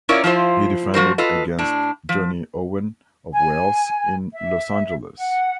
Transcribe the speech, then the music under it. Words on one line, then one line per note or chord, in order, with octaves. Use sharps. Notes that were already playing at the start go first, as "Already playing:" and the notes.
He defended against Johnny Owen of Wales in Los Angeles.
C#4 E4 F4 A#4 C#5 D5
F3 E4 F4 C5
F3 F#4 A#4 C5
F4 A4 B4 D#5
A2 D4
F3
G#5
E5
F#5